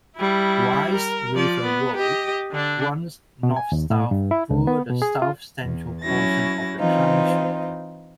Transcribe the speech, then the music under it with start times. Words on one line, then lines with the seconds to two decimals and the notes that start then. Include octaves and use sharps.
Rice River Road runs north-south through the south-central portion of the township.
0.17 G3 E4
0.94 A#4
1.34 F3 D5
1.64 B3
1.96 G4 D#5
2.52 D3 D4
3.43 B2
3.57 G#5
3.72 D#2
3.90 A2
4.11 G2
4.31 E4
4.51 C#2
4.67 B3
4.90 B2
5.02 G#4
5.22 F4
5.63 E2
6.03 F#3 C#4 E4 F#4 A6 A#6
6.78 E3 C4 D#4 F4